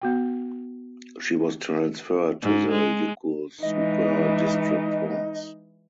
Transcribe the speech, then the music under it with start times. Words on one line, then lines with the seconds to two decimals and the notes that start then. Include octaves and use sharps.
She was transferred to the Yokosuka District Force.
0.02 B3 F#4 G5
2.42 G#2
2.72 G#3
3.63 E3 G#3 D#4 D#5